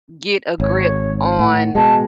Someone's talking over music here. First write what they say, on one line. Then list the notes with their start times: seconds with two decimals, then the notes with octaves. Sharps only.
get a grip on
0.60 G#1 C#5
1.39 A2 F#5
1.75 B2 G#3 A5